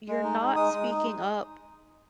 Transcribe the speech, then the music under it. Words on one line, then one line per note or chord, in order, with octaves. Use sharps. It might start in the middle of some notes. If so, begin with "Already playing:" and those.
you're not speaking up
G#3
D#4
D#4
G#3 D#6
G#3
D#4